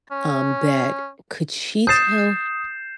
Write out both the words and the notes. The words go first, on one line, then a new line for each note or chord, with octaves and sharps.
um, that could she tell h
C#4
D#6 G6 A6 C7 E7